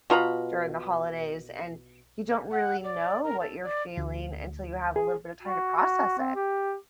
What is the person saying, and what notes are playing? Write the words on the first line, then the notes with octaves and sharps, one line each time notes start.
during the holidays, and you don't really know what you're feeling until you have a little bit of time to process it.
B2 F4 A#5 B5
F#5
D5
A#4
A4
D5
D2
G#4
F#4
F#4
C4
G4